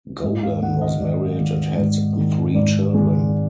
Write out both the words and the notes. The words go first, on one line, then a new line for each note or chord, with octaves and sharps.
Golan was married and had three children.
G#2 D#5
F5
D#3 G#3 F#5
D#5
G#2 D5
D#3 G#3
G#2
D#3 G#3
G#2 D5
D#3 G#3